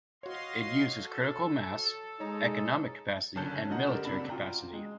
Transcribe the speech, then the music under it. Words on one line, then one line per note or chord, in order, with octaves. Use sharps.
It uses critical mass, economic capacity and military capacity.
F#4 C#5 D#5 F5 C6
A4
G#3 D#4 C#5 A#5 D#6
F#1 D3 C#4 A5 F#6 G6
B2 D3 F4 D#5 F#5 A#5
G3 A#3 A4 A#4 E7
C#2 C3 D4 B5
F4 F#4 G5 A#5
G#3